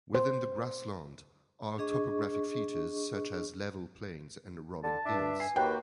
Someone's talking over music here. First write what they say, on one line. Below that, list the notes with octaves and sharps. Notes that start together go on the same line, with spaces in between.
Within the grassland are topographic features such as level plains and rolling hills.
C5
D4 G#4 D#5 C#6
D3 A5
G2 D4 E5
G#5 C7
D#2 A#3 F#4 B4 G5